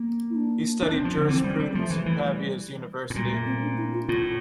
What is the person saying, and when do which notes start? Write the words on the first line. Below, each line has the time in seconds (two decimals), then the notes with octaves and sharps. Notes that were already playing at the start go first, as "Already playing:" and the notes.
He studied jurisprudence in Pavia's university.
Already playing: A#3
0.30 E4
0.36 D4
0.82 D4
0.94 C4
1.05 F3
1.18 D3
1.28 E3 C4
1.44 G3
1.60 G3
1.75 F3 A3
1.90 E3
2.06 E3
2.22 G3
3.10 A2
3.16 A#2 G3
3.30 A3
3.46 C4
3.63 D4
3.78 E4
3.93 F4
4.08 A2 F4